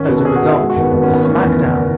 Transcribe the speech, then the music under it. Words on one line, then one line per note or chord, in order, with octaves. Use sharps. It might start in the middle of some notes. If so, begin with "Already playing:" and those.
As a result, SmackDown!
Already playing: G#1 C#4
B2 B4
A4
C#4 G#4
F#4
B2
E4
G#3 F#4
F#4
G#1
B3
G#1 B3
C#4
G#1
B3
A3 C#4
B3
E2 C#4
F#1